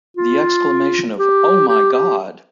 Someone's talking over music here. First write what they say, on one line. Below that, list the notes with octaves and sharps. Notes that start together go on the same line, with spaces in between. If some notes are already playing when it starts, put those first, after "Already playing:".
The exclamation of Oh my God!
F4
G4
G4
G4